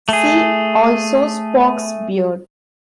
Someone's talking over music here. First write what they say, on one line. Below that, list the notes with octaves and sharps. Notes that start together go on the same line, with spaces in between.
See also Spock's Beard.
A3 G#4